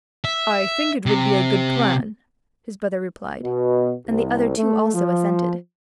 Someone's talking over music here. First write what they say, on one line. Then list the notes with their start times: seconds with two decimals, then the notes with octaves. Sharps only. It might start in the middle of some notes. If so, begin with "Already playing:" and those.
"I think it would be a good plan," his brother replied; and the other two also assented.
0.25 E5
1.06 C3
3.43 B2
4.07 C2
4.57 A3
4.94 F3